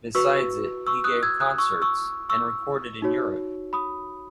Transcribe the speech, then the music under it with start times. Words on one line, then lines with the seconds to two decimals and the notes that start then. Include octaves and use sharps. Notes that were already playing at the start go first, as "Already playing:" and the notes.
Besides it, he gave concerts and recorded in Europe.
0.15 F#4 B4 C#6 E6
0.87 C#6 E6
1.04 D#6 F#6
1.23 E6 G#6
1.40 D#6 F#6
1.58 C#6 E6
1.82 C#6 E6
2.29 C#6 E6
3.02 D#4 F#4 C#5
3.73 B5 D#6